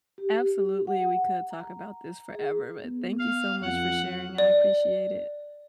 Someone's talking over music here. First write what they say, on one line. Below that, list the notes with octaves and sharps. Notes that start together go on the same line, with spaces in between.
Absolutely, we could talk about this forever. But, thank you so much for sharing. I appreciate it.
G4
F#5
A#5
G#4
B3
F5
F2 F#5
D5